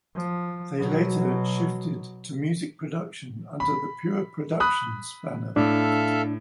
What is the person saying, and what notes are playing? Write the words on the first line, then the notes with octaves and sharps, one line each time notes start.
They later shifted to Music Production under the Pure Productions banner.
F3
B2 F#3
B5
B5 D#6 F#6
A2 D4 A4 E5 F5